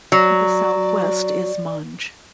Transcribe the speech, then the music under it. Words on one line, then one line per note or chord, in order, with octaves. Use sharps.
To the southwest is Monge.
F#3 D5